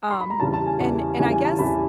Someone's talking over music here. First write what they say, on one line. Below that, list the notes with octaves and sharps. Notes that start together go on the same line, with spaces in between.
Um, and and I guess
C6
B5
A#5
E2 C#3 E3 G3 A5
A5
G#5
E2 C#3 E3 G3
E2 C#3 E3 G3 G#5
G#5
A5
E2 C#3 E3 G3 B5